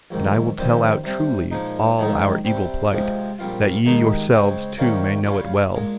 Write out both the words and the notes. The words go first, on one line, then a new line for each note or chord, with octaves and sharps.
And I will tell out truly all our evil plight, that ye yourselves too may know it well.
A#1 G#2 D#3
F2 D#3 G3 C4
C3 G3 C4
A#2 F3 G#3 D#4
F2 D#3 G#3 D#4 G#4
C3 G3 C4
C3 F3 G#3 C4
A#1 A#2 G3 C4 F4
D#2 D#3 G#3 D#4
C#3 G#3 C4
C3 D#3 G3 A#3 C#4
C#3 G3 C#4 F4
A#2 G#3